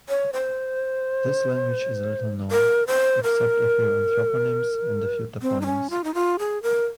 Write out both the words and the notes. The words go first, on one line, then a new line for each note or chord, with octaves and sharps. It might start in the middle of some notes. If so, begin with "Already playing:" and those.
This language is little known, except a few anthroponyms and a few toponyms.
C#5
C5
A#4
C5
A#4
C4
D#4
C#4
F4
D#4
F4
G#4
A#4